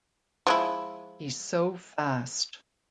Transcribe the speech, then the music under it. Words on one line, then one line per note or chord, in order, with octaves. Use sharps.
He's so fast.
F3 G#3 E4